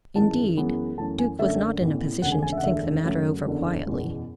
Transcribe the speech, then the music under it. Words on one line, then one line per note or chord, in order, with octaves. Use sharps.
Indeed, Duke was not in a position to think the matter over quietly.
G#1 F#2 E3 G#3 A5
F#2 E3 G#3 B3
F#2 E3 A3 A5
G#5
F#2 D3 A3 E5
A1 A2 E3 B3
E1 D2 C#3 F#5
G#5
G#5
E5
F#5
E1 D2 D3 E5
F#2 C#3 F#3 A3
F#1 E2 D3
F#1 E2 B2